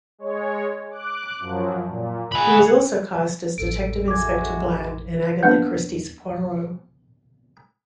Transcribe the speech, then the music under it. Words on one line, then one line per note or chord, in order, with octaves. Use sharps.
He was also cast as Detective Inspector Bland in Agatha Christie's Poirot.
G#3 C#5
D6 F#6
F#2 F3 F#3
A#2
G#4 F#5 G#5 B5
A1 F2 A4 D7
D2 G#3 F#4 D6 G#6
A#3 B3 D4 B4 F#5 G6